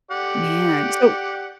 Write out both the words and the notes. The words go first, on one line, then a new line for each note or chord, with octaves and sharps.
Man. So,
G4 D5 F#5